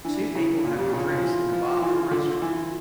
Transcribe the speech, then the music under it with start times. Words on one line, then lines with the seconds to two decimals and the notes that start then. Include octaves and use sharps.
Two people having drinks in a bar or restaurant.
0.05 E3 D4
0.35 C#3 E4
0.64 A#2 F4
0.77 F2 G4
0.92 C#3 F4
1.09 C#3
1.18 F3
1.23 E3
1.53 F3
1.82 E3
2.11 D3
2.42 E3